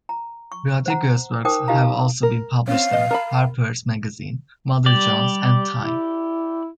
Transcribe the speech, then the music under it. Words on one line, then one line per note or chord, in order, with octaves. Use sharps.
Rodriguez's works have also been published in "Harper's Magazine", "Mother Jones", and "Time".
A#5
C#6
C5 F#5 A#5
D#4 A#4 C5 G5 D6 D#6
D#4 G4 D#5 F5 A#5
A#4
C4 C#4 F5
B3 D#5
A#4 A5 B5
G3 G4 D5
E4